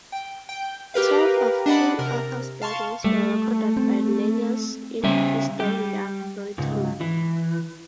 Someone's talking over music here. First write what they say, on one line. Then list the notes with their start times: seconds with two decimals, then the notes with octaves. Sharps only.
Twelve of King Arthur's battles were recorded by Nennius in "Historia Brittonum".
0.12 G5
0.49 G5
0.94 G4 A#4 B4 F5
1.66 D4 D#5 F#5 A5 B5
1.99 C3 A#4
2.62 F5 A5 C6 C#6
3.04 G3 A3
3.77 C4
5.04 C#3 G3 E5
5.60 G3 G4
6.58 C#2 G#2
7.01 E3